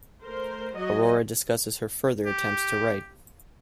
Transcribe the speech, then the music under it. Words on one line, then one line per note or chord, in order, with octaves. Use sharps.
Aurora discusses her further attempts to write.
A3 A#4 C5
F#3 F#4 D#5
G4